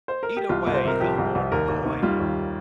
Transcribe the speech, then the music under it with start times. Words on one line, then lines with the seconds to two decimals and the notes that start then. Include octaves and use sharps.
Eat away, hell-born boy!
0.08 C5
0.23 A#4
0.37 G4
0.49 C2 F4
0.67 C2
0.74 C5
0.84 C3 A#4
1.00 F3 G4
1.18 C2
1.35 C2
1.52 D#2 A#4
1.68 D#2
1.85 D#3
2.03 G3 F4
2.20 D#2